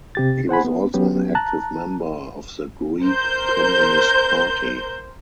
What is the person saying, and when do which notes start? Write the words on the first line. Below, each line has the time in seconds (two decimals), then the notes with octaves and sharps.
He was also an active member of the Greek Communist Party.
0.15 C3 G4 A6
0.49 C5 F#5 G#5 B5
0.65 B3
0.94 F#3 B3 C#4 G4
1.35 A5 A#5 F#6
3.03 A#4 C5 G6